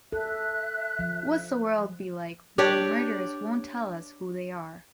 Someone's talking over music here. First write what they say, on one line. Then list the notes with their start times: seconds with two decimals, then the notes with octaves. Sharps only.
What’s the world be like when the murderers won’t tell us who they are?
0.12 A4 E5 F#6
0.99 F3
2.58 D4 G4 C#5 D5